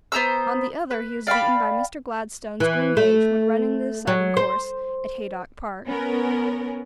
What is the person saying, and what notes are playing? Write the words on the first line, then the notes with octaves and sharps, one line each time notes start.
On the other he was beaten by Mr. Gladstone's Greengage, when running the deciding course at Haydock Park.
B3 C5 A#5 E6
B4
D5 F5 G5 B5
E3
A3
F#3
C5
B3 C#4 A#4